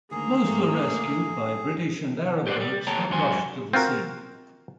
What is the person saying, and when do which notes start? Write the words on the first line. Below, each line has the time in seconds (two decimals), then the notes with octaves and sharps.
Most were rescued by British and Arab boats that rushed to the scene.
0.11 D2 D#3 A#3 G#4
0.45 G#2 G#3 A3
2.47 G4 B4 C5 D5 F#5
2.60 G3
2.87 D#2 A3 C#5 G5 A5 A#5
3.10 C#2 F#2 F#4 C5 G#5
3.73 C4 F4 F#4 A#4